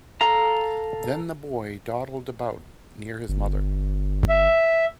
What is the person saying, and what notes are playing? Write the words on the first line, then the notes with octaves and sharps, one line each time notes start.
Then the boy dawdled about near his mother.
A4 F5 A#5
G1
E5